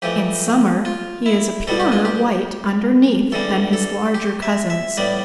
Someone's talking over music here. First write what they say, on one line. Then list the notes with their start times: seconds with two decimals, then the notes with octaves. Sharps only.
In summer he is a purer white underneath than his larger cousins.
0.02 F2 E3 A3 G4
0.85 F4
1.26 E4
1.67 B2 G3 B3 A4
1.80 G4
1.92 F4
2.05 G4
3.32 E2 D3 G3 A4
3.73 A4
4.14 G4
4.42 E5
4.70 E5
4.97 A2 G3 B3 D5